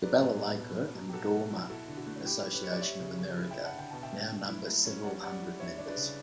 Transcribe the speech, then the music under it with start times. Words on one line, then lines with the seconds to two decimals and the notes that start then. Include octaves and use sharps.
The Balalaika and Domra Association of America now numbers several hundred members.
0.02 F#3 B4 D5
0.21 A2
0.39 B3
0.58 B2
0.76 B2
0.95 F#3
1.09 G4
1.13 B2 F#4 A4
1.32 B2
1.51 E4
1.69 E4 F#4 A4
1.88 D3
1.97 F#4
2.07 A3
2.25 E4 G4
2.44 C#4
2.54 B4
2.63 G3 C#5
2.72 D5
2.81 G3 C#5 E5
3.00 C#3
3.18 C#3
3.37 E4
3.51 E5 G5
3.56 E4
3.65 F#5 A5
3.74 D3 G5
3.91 B2 A5
4.02 E5 G5
4.12 A3
4.30 A3
4.48 E4
4.67 F#3
4.86 C#4
5.04 G3 D5 F#5
5.23 G3 D5 F#5
5.41 E4
5.60 D4 C#5 E5
5.78 D4
5.88 B4 D5
5.97 C#3